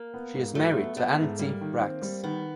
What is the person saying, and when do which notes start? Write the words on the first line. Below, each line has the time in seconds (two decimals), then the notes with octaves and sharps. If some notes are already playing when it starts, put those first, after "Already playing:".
She is married to Antti Brax.
Already playing: A#3
0.14 B3
0.35 G#2
0.55 F#3 A3
0.76 B3
0.97 A3 B3
1.19 G#2
1.39 G3 A#3
1.61 D#3
1.81 C4
2.02 G3
2.23 D#3 B3